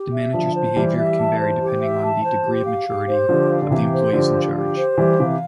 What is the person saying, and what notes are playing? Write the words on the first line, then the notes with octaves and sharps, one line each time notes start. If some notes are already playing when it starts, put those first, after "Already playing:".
The manager's behavior can vary depending on the "degree of maturity" of the employees in charge.
Already playing: G4
E5
D3 F3 A5
C5
E3 G3 G4
E5
A5
C5
G4
E5
A5
C5
G4
F5
G4
C5
D3 F3 G4
F5
D3
C3 E3 G4
C5
D3 F3 G4
F5
G4
C5
E3 G3 G4
C3 E3 F5